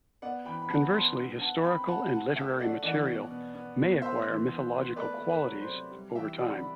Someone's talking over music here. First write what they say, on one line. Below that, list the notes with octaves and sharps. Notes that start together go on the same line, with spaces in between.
Conversely, historical and literary material may acquire mythological qualities over time.
B3 D5 F#5
E3 G5 B5
B5
B3 F#5 A5
B3 A5 C6
D3
D3 F#5 A5
C4 G5 B5
C4 F#5 A5
C4 F#5 A5
A3 E5 G5
A3 D5 F#5
E3 D5 F#5
B2
B3
B3
B2
B3 C5 E5
E3
B3
B3
A3 B4 D5
A3
B4
F#3
C5
C3
G3
E3 E5 G5
C3 D5 F#5
B5